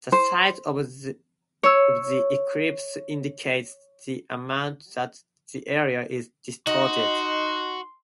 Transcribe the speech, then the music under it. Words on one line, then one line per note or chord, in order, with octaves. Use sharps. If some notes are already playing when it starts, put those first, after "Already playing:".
The size of the ellipse indicates the amount that the area is distorted.
C5
C#5 E6
D#4 F#4 D#5 C6